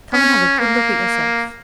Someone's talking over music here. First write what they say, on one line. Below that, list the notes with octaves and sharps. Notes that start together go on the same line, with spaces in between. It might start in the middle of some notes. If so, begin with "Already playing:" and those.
"Come and have a good look at yourself."
C#4
A#3